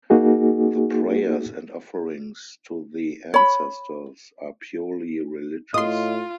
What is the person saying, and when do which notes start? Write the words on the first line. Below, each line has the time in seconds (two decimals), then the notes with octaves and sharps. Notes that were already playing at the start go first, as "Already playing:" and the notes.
The prayers and offerings to the ancestors are purely religious.
0.10 A#3 D#4 F#4 G#4
3.34 C#5 B5
5.74 A2 F4 D#5 C6 D#6